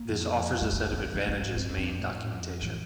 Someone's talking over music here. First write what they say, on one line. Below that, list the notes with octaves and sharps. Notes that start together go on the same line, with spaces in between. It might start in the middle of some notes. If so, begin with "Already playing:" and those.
This offers a set of advantages main documentation.
Already playing: A#3
F2
A#3
F2 A3
F2 G3
E2
A3
F2 C4
G2 A#3
A2
G2 C4
F2
C4
A2
A#2
A2
F2
A2 E3